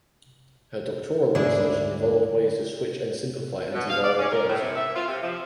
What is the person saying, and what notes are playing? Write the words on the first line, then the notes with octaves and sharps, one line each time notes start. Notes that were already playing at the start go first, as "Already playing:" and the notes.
Her doctoral research involved ways to switch and simplify antiviral drugs.
D2 G#2 D4 E4 G#4
B2
F5
D5
C#4
A#4
A2
C3
E5
F4
C3
F3